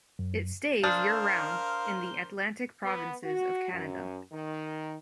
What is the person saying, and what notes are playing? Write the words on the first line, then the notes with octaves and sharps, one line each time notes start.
It stays year round in the Atlantic provinces of Canada.
F#2
D4 A#4 C5 F5 D#6 F6 G6
B3
F#4
F#2
D#3